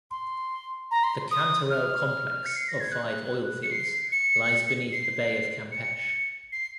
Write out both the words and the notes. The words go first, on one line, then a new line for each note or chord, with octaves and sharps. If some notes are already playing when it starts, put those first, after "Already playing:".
The Cantarell Complex of five oil fields lies beneath the Bay of Campeche.
C6
A#5
C6
D#6
F6
C#7
C7
A#6
G#6
F#6
C#7
C7
C#7
C7
C#7
C7